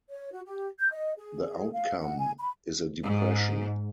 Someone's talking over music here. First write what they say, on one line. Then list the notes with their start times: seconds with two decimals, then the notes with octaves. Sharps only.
The outcome is a depression.
0.09 C#5
0.32 F#4
0.46 G4
0.79 G6
0.92 D#5
1.17 G#4
1.74 F5
1.99 F#5
2.19 G#5
2.40 B5
3.04 G#2